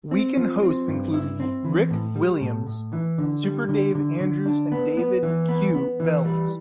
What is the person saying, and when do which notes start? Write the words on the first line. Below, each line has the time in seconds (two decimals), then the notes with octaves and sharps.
Weekend hosts include Rick Williams, "Super Dave" Andrews and David "Q" Velez.
0.11 C4
0.37 F3
0.63 C4
0.88 G2
1.14 E4
1.40 C4
1.65 E3
1.90 A2
2.16 G3
2.41 A2
2.67 A2
2.93 E3
3.18 D3
3.44 G3
3.69 D3
3.95 D3
4.21 D3
4.46 D4
4.72 B3
4.97 B3
5.23 E3
5.48 B3
5.75 B3
6.00 E3
6.25 G3